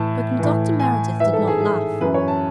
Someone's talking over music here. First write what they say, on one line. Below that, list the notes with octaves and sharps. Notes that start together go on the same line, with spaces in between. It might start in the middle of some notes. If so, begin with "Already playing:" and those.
But Dr. Meredith did not laugh.
Already playing: A2 E3 A5
A2 E3
G#5
G#2 E3 E5
A4
G#4
G#4
F#2 E3 B4
C#5
A5